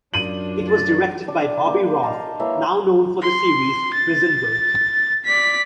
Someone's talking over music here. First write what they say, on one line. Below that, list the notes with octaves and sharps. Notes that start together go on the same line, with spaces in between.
It was directed by Bobby Roth, now known for the series "Prison Break".
F#2 D4 F4 D#7 F#7
A6
D4 D5
A#3 G4
D#5 F5 A5 A#5
E3 A#3 C#5 E5
C6
A6
D5 B6